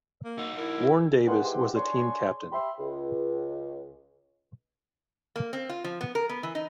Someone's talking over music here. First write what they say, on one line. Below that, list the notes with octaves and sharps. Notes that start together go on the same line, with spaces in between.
Warren Davis was the team captain.
A#3
D#4 F#4 E6
E4 A#4
G2 D#3 B3 F#5 G#5 C6
G#2 E3 G4 F#5 C6
D4 G#4 C#5 G#5 C6
G4 E5 B5 C6
C#2
A#3
C4
F4
F3
B3
A#4
B3
E3
D#4